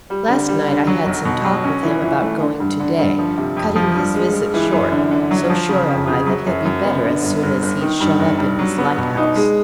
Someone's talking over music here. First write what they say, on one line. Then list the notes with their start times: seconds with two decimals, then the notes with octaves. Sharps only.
Last night I had some talk with him about going to-day, cutting his visit short; so sure am I that he'll be better as soon as he's shut up in his lighthouse.
0.10 G3
0.28 D3
0.48 G3
0.67 D3
0.87 F#3
1.06 B1
1.25 B2
1.44 F#3
1.64 C#4
1.83 E3
2.02 E3
2.22 A3
2.40 D3
2.60 G2
2.80 D3
2.99 G2
3.18 F3
3.37 C3
3.56 F2
3.76 F3
3.95 G2
4.15 G#3
4.34 G#3
4.54 E3
4.72 F#2
4.92 D3
5.11 D3
5.31 F#3
5.50 F3
5.69 C#3
5.89 F2
6.08 C#3
6.26 F#3
6.46 F#2
6.65 F#2
6.84 B3
7.04 D3
7.23 G1
7.43 G1
7.62 G1
7.81 D#3
8.00 G2
8.20 G1
8.39 G2
8.59 F#3
8.78 B3
8.98 B2
9.17 D#4
9.36 G#3